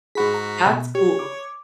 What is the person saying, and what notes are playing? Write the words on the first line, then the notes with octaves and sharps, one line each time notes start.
That's cool.
G#2 F#4 G#4 B5 B6
A#5
B2
G4 C#5
D6